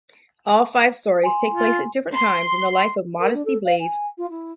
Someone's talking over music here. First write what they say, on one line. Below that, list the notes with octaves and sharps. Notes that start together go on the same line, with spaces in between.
All five stories take place at different times in the life of Modesty Blaise.
G#5 C6
F4
C6
A#4
D4
A4
F5
G#5
F4
E4